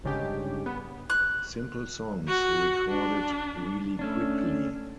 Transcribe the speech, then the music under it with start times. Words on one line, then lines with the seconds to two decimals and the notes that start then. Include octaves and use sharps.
Simple songs recorded really quickly.
0.04 G1 G#2 C#3 D4 G4
0.66 B3
1.10 F#6
2.27 F#4
2.89 D4
3.99 A3 C#4 D4